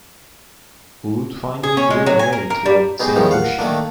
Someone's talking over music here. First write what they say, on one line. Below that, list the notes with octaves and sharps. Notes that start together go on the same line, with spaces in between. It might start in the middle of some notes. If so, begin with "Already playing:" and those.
Hood finally drew away toward Saint Lucia.
G#4
C#4
G#3
F#3
G#5
A#4
A#4
G3
B2 D#4 G4 G#4
E2 D#3 F3 G3 A3
F5 F#5
D#3 A3 A#3 D4